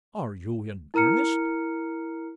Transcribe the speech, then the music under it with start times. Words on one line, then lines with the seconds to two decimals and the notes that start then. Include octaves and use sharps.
"Are you in earnest?"
0.94 E4 A#4 A#5 F6 C#7